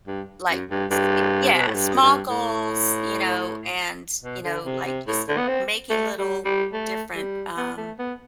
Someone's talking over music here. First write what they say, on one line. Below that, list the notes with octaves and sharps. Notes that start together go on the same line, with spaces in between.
like s Y yeah, small goals, you know, and, you know, like, just making little different, um-
G2
F#2
G2
G2
C3
B2
A2
G2
F#2
G2
A2
B2
D3
C3
C3
A2
D3
B3
C4
A3
G3
G3
A3
G3
B3
A3
B3